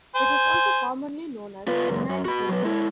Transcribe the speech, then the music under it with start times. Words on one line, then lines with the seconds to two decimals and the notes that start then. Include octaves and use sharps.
It is also commonly known as "vinyl weave".
0.15 C5 G#5
1.67 B3 F4
1.88 C#2 F#2
2.09 F#2
2.25 F#4 B5
2.49 F#3 B3
2.64 G#3 E4